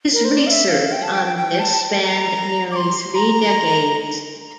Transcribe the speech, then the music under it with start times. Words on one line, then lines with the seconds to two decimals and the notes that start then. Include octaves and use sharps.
His research on this spanned nearly three decades.
0.13 A#4
0.25 C5
0.36 D5
0.47 F5
0.50 E5
0.69 F5
0.92 G5
1.03 A5
1.13 G5
1.25 G5
1.37 G5
1.59 A5
2.04 A#5
2.71 D6
2.76 C6
3.15 A#5